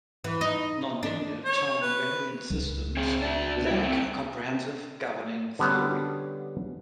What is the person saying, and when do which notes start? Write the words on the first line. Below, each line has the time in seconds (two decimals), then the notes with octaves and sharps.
Nonlinear time-invariant systems lack a comprehensive, governing theory.
0.24 E3
0.41 D#4
1.03 D4
1.45 C#5
1.81 B4
2.50 C#2
2.97 C4 G#4
3.22 D4 E5
3.67 G3 E4
3.83 A3 C4
5.59 D3 G3 B3 C#4 F#5